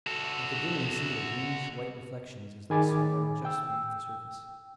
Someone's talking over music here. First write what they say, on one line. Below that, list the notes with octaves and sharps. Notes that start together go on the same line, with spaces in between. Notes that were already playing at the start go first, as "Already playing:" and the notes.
I could dimly see their greenish-white reflections as they swam just beneath the surface.
F#4 A4
D#3 G#4 G#5 B5 D6 A6
G5 E6